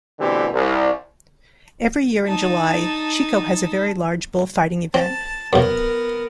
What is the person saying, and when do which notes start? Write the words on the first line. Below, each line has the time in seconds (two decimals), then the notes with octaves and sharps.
Every year in July, Xico has a very large Bullfighting event.
0.20 B2 D3 E3 A3 C4 G4
0.52 C2
2.27 D#4 A5
4.94 C4 A5
5.53 F#2 B2 B3 A#4